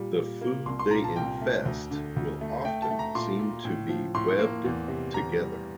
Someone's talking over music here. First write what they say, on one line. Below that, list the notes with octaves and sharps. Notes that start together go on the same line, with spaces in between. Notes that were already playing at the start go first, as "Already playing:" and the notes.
The food they infest will often seem to be webbed together.
Already playing: A#2 G3
A#2
A#3
C2 C6
C6
A#2 A#5
A5
C2 G5
A3
D2
D3
D2
A3
A3 G5
A5
A3
A#5
A#2 C6
A#2
A2
F3
A2 C6
A#3
E2
C3
E2 A#5
G3